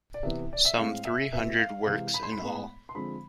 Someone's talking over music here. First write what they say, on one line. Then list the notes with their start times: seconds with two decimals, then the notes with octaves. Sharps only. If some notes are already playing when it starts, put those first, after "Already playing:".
Some three hundred works in all.
0.14 D5
0.23 C3 E3 B3 E5
0.53 D5
0.65 E5
0.78 A2 G#3 C4 F5
1.05 E5
1.33 B2 B3 E5
1.59 F5
1.86 C3 E3 G#3 F5
2.14 B5
2.23 C6
2.32 B5
2.42 A2 G#3 B3
2.89 C6
2.95 D3 F3 G#3 C4 B5